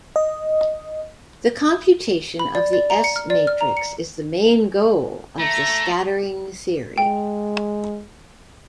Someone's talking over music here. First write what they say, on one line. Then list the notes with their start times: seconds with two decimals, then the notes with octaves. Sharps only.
The computation of the S-matrix is the main goal of the scattering theory.
0.16 D#5
2.39 B5
2.55 D5
2.73 D5
2.90 A#5
3.04 C#7
3.16 F6
3.30 D5
3.47 F6
3.61 A#5
3.77 C#7
5.39 A3 A#5
6.98 G#3 G5